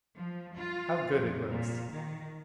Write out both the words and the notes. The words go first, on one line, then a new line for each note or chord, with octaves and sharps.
How good it looks!
F3
F4
F2
A#2
D#3